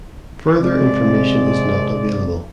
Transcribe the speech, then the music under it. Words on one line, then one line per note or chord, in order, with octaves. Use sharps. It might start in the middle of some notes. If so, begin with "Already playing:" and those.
Further information is not available.
C3 F3 G#3 D5